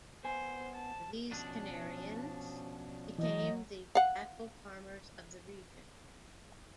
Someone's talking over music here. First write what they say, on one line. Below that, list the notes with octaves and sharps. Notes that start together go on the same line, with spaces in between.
These Canarians became the tobacco farmers of the region.
B3 C5 G#5
A5
B2 F3 C#4 D4
E3 F#3 D#5
F5 F#5